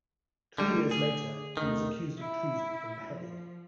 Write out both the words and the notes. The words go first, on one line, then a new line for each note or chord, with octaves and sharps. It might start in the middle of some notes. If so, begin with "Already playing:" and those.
Three years later, he was accused of treason and beheaded.
D3 D#3 G3 A3
D3 G#4
E2 D#3 A3
E4
F3